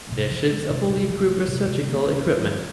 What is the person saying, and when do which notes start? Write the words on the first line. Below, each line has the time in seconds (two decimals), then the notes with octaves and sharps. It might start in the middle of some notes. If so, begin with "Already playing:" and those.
The ships are fully equipped with surgical equipment.
0.12 C3
0.31 F3
0.51 G#3
0.70 C3
0.90 C3
1.09 F3
1.29 G#3
1.48 C3
1.68 C3
1.88 A#3
2.06 C#4
2.26 F3
2.45 F3